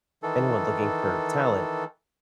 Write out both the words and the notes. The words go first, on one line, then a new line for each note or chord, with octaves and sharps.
anyone looking for talent.
D#3 E3 A4